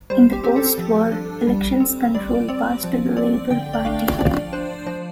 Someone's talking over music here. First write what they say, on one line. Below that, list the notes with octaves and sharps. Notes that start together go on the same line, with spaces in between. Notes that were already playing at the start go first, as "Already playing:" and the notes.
In post-war elections control passed to the Labour Party.
G3 C5
G4
C4 G4
A4
F3
D4
G3
C4
G3 D5
C4 D5
F3
C4 D5
D3 G5
D5
A3 D4 F5
F3 D5
D4 C5
F3 C5